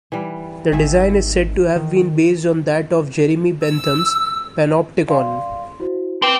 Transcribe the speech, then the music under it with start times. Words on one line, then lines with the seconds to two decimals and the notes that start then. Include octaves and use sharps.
The design is said to have been based on that of Jeremy Bentham's Panopticon.
0.12 E3 G3
0.72 G#1 D#3 G#4 E5
1.76 D#3
3.62 E6
5.09 D5 F5 C6
5.80 E4 F#4 C5
6.22 C4 B4 G5 D6 E7